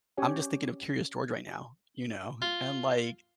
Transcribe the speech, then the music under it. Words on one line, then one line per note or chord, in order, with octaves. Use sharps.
I'm just thinking of Curious George right now, you know, and, like,
C#4 G4 C#5 G5 G#5
F4